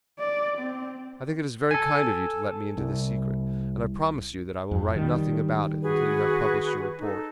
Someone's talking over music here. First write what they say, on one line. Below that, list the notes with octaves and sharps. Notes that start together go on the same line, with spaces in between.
I think it is very kind of you to let me into this secret, and I promise you that I will write nothing about it until you have published your report.
D5
C4
A4 G#5
C2
F2
D#3 G3
F#4 G#4 B4
D#4 A4